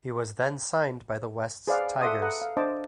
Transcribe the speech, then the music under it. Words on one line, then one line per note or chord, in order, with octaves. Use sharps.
He was then signed by the Wests Tigers.
G#4 B4 C5 D5 F5 F#5
A4 E5 F#5 C6 D6 D#6
A4 B4 F#5 A#5 D#6
F5
D4 C5 D#5 A5 D6